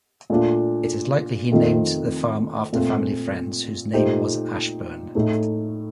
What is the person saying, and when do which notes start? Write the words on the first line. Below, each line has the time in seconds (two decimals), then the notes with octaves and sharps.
It is likely he named the farm after family friends whose name was "Ashburn".
0.30 A#2 A3 D4 F4
1.51 F2 D#3 A3 C4 F4
2.73 A#2 A3 C4 F4
3.93 A#2 A3 D#4 G4 C5
5.15 A2 A3 D#4